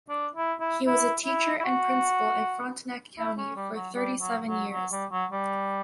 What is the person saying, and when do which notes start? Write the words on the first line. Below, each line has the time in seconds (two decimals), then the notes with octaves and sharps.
He was a teacher and principal in Frontenac County for thirty-seven years.
0.09 D4
0.35 E4
0.60 E4
0.87 E4
1.25 E4
1.60 E4
1.64 F#4
3.18 E4
3.37 C#4
3.56 G3
3.75 F#3
3.95 G3
4.20 F#3
4.47 F#3
4.72 F#3
4.92 G3
5.11 F#3
5.31 G3